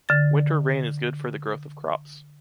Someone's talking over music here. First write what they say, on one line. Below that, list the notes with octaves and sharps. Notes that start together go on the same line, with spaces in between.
Winter rain is good for the growth of crops.
D3 A6